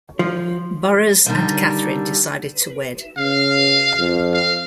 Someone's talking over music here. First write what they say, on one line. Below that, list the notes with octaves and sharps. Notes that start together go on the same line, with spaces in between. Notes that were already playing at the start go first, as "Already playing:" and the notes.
Burroughs and Kathryn decided to wed.
F3
D3 D#3 G3
C#3 F5
F2
F5